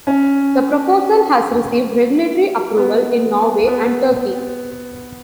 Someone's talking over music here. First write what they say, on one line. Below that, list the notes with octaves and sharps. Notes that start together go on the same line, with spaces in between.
The proposal has received regulatory approval in Norway and Turkey.
C#4
B3
B3